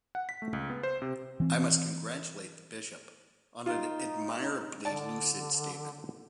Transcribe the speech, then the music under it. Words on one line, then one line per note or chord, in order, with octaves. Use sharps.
I must congratulate the bishop on an admirably lucid statement.
F#5
B6
A3
C#2
B3
C5
C3
E3 C4
D#4 F4
D3 D5 A5